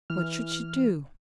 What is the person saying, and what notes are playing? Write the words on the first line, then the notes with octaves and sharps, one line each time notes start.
What should she do?
E3 F6